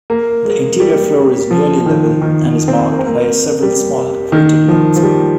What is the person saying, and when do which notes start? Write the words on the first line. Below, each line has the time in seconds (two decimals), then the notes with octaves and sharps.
The interior floor is nearly level and is marked by a several small craterlets.
0.10 A#3
0.45 G#3
0.80 G3
1.51 F3
1.86 D#3
2.22 D#3
2.68 C4
2.92 A#3
2.99 C4
3.07 A#3
3.62 G3
4.32 D#3
4.68 F3
4.96 F3
5.03 G3